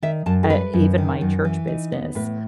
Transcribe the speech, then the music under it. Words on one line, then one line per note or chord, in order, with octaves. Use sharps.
uh, even my church business.
D#3 E5
F#2 A5
A4
G3 B4
F#2
D#3
F#2
E3
D#4
B3
A2 B4